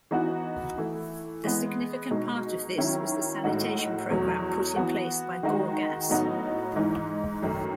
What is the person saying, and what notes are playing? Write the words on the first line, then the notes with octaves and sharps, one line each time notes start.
A significant part of this was the sanitation program put in place by Gorgas.
E3 B3 D#4 F#4
E3 A3 E4
E3 G#3 B3
B2 G#3 D#4
D#3 F#3 C#4 E4
A2 G#3 D#4 F#4
E2 B2 F#3 A3
E3 B3 F#4
D#3 G#3 D#4 F#4
A2 F#3 B3 D#4 F#4
G#2 E3 G#3 D#4
F#2 D#3 A3